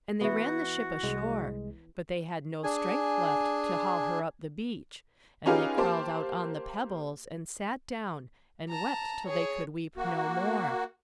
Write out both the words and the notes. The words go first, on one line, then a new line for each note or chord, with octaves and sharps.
And they ran the ship ashore; but they had no strength left to haul her up the beach; and they crawled out on the pebbles, and sat down, and wept till they could weep no more.
E3 B3 F#4
C2 G#3
D4 G#4 G#5
C#4 D#4 F4 G4 G#4 B4
A#3 G4 C5 A5
A5 A#5
G#4 C#5
A#3 F#4